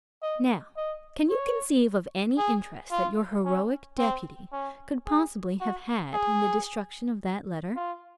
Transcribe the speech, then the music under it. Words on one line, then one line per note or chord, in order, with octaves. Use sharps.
"Now can you conceive of any interest that your heroic deputy could possibly have had in the destruction of that letter?"
D#5
D#5
C#5
G#4
F4
C#4
C4
C#4
G#4
F#4
G#4
F4